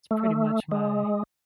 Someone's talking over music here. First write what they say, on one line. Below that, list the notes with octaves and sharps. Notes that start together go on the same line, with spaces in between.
It's pretty much my
A3
G#3